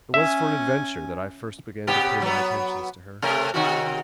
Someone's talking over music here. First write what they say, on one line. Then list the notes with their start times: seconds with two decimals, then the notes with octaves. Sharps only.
It was for an adventure that I first began to pay my attentions to her.
0.14 C#4 E5 G#5
1.87 C3 B3 G4
2.22 F#3 B3
3.22 C3 A3 A#4
3.54 C3 D#3 F#4